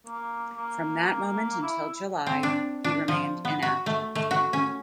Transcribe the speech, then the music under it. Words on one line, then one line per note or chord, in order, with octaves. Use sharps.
From that moment until July, he remained inactive.
A#3
A#3
E4
C4
D4
D4
F3
B3
F#4
A3
A3
F#4
C#4